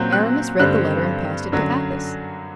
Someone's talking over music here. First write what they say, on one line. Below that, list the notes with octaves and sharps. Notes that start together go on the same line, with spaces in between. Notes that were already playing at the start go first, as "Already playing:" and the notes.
Aramis read the letter, and passed it to Athos.
Already playing: A#2 F#3 C4 F#6 G6
F#6
G2 D3 G3 C4 F#6
F#2 D3 F#3